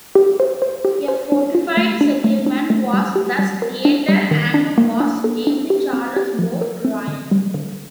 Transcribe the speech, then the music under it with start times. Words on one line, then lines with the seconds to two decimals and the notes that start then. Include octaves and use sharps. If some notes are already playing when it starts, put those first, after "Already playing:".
A fortified settlement was thus created and was named Charlesbourg-Royal.
0.15 G4
0.40 C5
0.62 C5
0.85 G4
1.08 C5
1.32 D4
1.55 F4
1.77 A3
2.01 D4
2.24 A3
2.46 D4
2.70 A3
2.93 G3
3.16 G4
3.39 G3
3.62 A#4
3.85 D4
4.09 G3
4.31 D#3
4.54 D4
4.78 A#3
5.00 D4
5.24 A4
5.47 D4
5.70 G4
5.93 C4
6.16 G4
6.39 F3
6.61 A#4
6.85 C4
7.08 D3
7.31 G3
7.54 D3